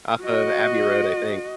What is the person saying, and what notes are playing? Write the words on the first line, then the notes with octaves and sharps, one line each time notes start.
Off of Abbey Road, I think.
F#4 D#5